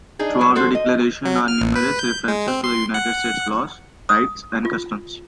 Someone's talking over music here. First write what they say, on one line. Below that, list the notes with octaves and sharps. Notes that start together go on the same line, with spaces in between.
Throughout the declaration are numerous references to the United States laws, rights, and customs.
D4 D#4 G#4
F#3
F#4 A4 C5
D#5
F#3
F6
A1
B4
G6
G#3
C4
C6
F#5
D#6
F4